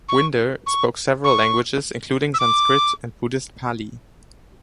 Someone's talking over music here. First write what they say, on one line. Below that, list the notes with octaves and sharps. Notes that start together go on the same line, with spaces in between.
Winder spoke several languages including Sanskrit and Buddhist Pali.
C#6
C#6
C#6
E6
D6